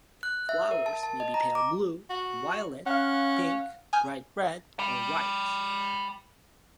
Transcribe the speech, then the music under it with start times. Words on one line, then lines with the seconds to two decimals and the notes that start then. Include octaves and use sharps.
Flowers may be pale blue, violet, pink, bright red, or white.
0.23 F#6
0.49 E5
0.71 A#4
0.86 A5
1.03 A5
1.20 D#5
1.34 A#5
1.55 D6
2.10 F#4
2.86 C#4 F5 F#5
3.93 G#5 D#6 F6 G6
4.79 G5 B5